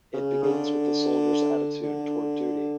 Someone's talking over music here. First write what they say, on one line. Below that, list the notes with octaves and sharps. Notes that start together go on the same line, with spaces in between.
It begins with the soldier's attitude toward duty.
C#3
D3
D3